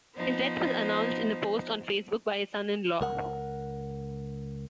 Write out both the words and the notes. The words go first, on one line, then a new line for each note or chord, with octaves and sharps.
His death was announced in a post on Facebook by his son-in-law.
F3 B3 D#4 C5
C#2 A#4 F#5